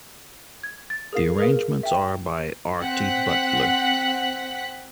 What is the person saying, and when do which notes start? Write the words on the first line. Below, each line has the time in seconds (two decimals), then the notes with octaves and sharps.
The arrangements are by Artie Butler.
0.63 G#6
0.90 A6
1.13 G#4 A#4 F5 C7
1.38 G#4 A#4 B4 F5
1.83 E5 G5
2.80 C4 F#5 F#6 B6